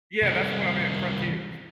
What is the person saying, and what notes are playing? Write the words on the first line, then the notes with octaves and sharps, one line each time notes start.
Yeah, that's what I meant, frontiers.
C2 D#3